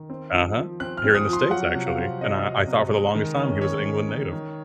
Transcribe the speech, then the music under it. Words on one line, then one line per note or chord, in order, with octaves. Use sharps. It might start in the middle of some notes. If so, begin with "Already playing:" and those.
Uh-huh, here in the states actually, and I I thought for the longest time he was an England native,
Already playing: D#3
C4
F3
F3
C4 F#6
F6
C4
D#6
F3
C6
F#3 F#5
C3
F5
C4
C3 D#5
F#3
C3
G#3
D#3
C#4
D#3 C#5
G#3
D#3
D#3